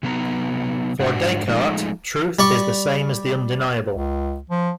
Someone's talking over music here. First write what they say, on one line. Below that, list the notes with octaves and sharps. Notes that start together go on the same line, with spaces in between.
For Descartes, truth is the same as the undeniable.
C3 F#3 B3 D#4 A#5
G#2 D4 F#4
F3 G#3 A3 D#4
G3 D5 C#6
C#2
F3